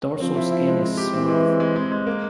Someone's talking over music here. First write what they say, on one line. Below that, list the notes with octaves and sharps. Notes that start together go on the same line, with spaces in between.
Dorsal skin is smooth.
F3 C4
E4
E4
G#3
C4
G4
E3 C4
G#3
C4
G#3
G#3
G#3
A#3